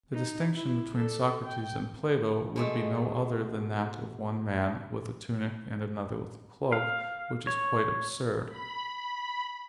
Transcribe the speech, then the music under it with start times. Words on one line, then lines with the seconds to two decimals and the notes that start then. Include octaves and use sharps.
The distinction between Socrates and Plato would be no other than that of one man with a tunic and another with a cloak; which is quite absurd.
0.13 D#4
0.54 E4
0.96 A4 D5
1.42 G5
2.56 B2 G#3 A3
6.72 F5
7.47 C#5
8.48 B5